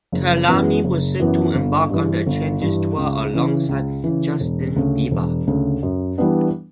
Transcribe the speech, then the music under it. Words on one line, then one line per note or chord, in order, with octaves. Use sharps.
Kehlani was set to embark on the Changes Tour alongside Justin Bieber.
F#1
F#2 E3 B3
F#1
F#2 E3 B3
G1
G2 E3
G1
G2 E3
C#2
C#3 E3
C#2
C#3 E3
E1
D2 C#3
E1
D2 C#3
F#2
E3 G3 B3 D4